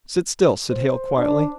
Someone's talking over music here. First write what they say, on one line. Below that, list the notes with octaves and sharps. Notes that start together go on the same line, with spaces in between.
"Sit still," said Hale, quietly.
C5
D4